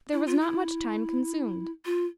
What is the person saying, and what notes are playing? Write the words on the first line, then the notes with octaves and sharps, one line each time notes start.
There was not much time consumed.
E4
F4
E4
F4